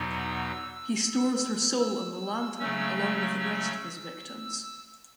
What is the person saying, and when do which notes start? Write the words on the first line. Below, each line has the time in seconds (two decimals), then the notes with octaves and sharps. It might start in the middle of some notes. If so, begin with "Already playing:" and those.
He stores her soul in the lantern along with the rest of his victims.
Already playing: E2 B2 F#3 B3 D#4
0.20 E6
1.80 E6
2.59 C#3 F#3 A3 C#4
3.40 E6